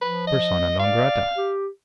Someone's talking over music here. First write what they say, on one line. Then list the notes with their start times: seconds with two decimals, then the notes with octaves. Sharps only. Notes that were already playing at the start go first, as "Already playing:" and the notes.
Persona non grata.
0.01 F3 B4
0.27 D#5
0.79 D5 F5
1.37 G4